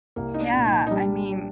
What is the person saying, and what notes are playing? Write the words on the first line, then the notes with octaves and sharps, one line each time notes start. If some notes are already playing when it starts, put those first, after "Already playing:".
Yeah, I mean,
C2 A#3
D#4
D4
A#2
D#4
D#4
G3 D4